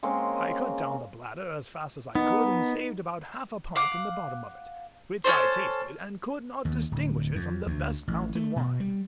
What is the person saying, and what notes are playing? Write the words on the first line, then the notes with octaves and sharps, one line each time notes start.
I cut down the bladder as fast as I could, and saved about half a pint in the bottom of it, which I tasted, and could not distinguish it from the best mountain wine.
G#3 A#3 C4 C#4
B3 D#4
F5 F#5 D6
C#4 D#4 A4 C5
D#2
D1
F2
D2
A1
A3
B2
G3